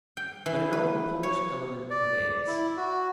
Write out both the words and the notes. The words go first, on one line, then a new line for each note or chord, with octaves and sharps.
But in all the Polish element pervades.
G5
E3
B4
C#5
D5
E4
F#4